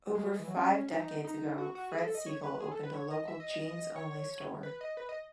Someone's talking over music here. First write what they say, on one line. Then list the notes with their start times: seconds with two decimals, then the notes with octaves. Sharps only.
Over five decades ago, Fred Segal opened a local jeans-only store.
0.15 G#3
0.23 F#3
0.30 G#3
0.39 E3
0.47 F#3
0.56 C#4
0.91 D#4
1.25 D#4
1.58 F#4
1.75 F#4
1.92 G#4
2.04 A4
2.15 D#5
2.26 C#5
2.43 B4
2.60 G#4
2.71 A4
2.83 B4
2.93 C#5
3.11 D#5
3.28 E5
3.40 D#5
3.51 D#5
3.62 D#5
3.96 C#5
4.63 B4
4.81 D#5
4.97 B4
5.09 D#5